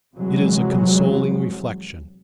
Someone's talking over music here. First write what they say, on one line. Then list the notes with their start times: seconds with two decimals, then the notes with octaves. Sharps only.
It is a consoling reflection.
0.15 F2 C3 E3 F#3 G#3